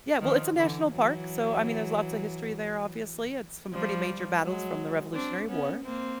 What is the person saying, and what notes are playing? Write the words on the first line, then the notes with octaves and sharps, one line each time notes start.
Yeah, well, it's a national park, so, I mean, there's lots of history there, obviously, it's some pretty major battles from the Revolutionary War.
D#3 F3
D3 E3
E3 F#3
F3 G3
F#3 G#3
C4 D4
B3 C#4
A#3 C4